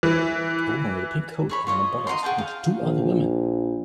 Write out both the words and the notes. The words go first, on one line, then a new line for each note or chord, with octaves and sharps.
A woman with a pink coat and an umbrella is talking to two other women.
E3
G#4 C#5 B5
F4 C#5 D#5
D#5 F#5 A#5 C6
G#4 F#5 G5 A5
F5
A#1